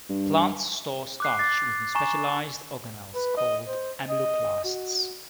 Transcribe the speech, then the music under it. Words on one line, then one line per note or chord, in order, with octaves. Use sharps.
Plants store starch within specialized organelles called amyloplasts.
G2
D6 F#6 C7
D6 A6 C7
G#5 A#5 C#6 E7
B4
D#5
C5
D#5
F#4